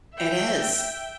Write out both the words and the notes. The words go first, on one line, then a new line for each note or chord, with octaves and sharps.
It is.
E5 G5